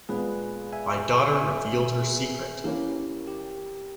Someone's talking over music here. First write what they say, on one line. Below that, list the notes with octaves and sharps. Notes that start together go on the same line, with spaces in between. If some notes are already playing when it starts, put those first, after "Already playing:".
My daughter revealed her secret.
A#2 G#3 B3 G#4 B4
E5 G#5
E5 G#5
G#4 B4
E3 A#3 C#4 G4 A#4
G4